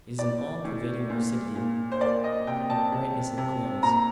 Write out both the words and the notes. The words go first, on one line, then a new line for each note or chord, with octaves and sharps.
It is an all-pervading lucidity, a brightness and clearness.
A2 D5
A2
A#2
A#2
C5
A#3 D5
D#5
C3 G5
A5
C3
C3
A#2 A#5